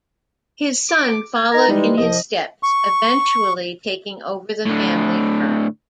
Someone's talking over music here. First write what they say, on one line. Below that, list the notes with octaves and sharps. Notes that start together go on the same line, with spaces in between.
His son followed in his steps, eventually taking over the family firm.
D6
G#6
D#4 A#4 A#5
E3 G3 G#3 D#4
C2 F3 D#5
C#6
A2 D3